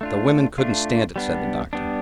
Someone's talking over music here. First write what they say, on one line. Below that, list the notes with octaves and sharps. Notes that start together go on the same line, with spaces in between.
"The women couldn't stand it," said the Doctor.
A3 D4 F4
A3 D4 F4
G3 B3 D4
G3 B3 D4